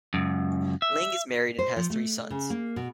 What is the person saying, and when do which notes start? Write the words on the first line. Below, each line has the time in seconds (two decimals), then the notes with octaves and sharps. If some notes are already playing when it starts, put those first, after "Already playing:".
Ling is married and has three sons.
0.14 C#2 F#2
0.82 E5
1.59 C5
1.77 F3
1.90 A3
2.30 C#3
2.50 A#3
2.76 B2